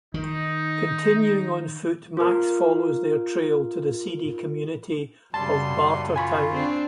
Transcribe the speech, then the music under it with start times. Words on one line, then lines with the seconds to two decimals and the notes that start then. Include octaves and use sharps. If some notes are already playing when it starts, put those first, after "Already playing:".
Continuing on foot, Max follows their trail to the seedy community of Bartertown.
0.14 D#3 D#4
2.17 F4 A#4
5.34 F#2 C#3 G3 A5 C6
6.16 F4 G#5 B5 C#6
6.53 C4 D4